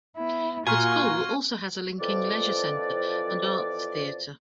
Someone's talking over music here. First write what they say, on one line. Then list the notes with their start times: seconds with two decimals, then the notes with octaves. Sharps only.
The school also has a linking leisure centre and arts theatre.
0.17 B3 E4
0.67 A#2 F4 F#4 G#5 C#6 F6 G#6
2.00 F2 E3 F3 D5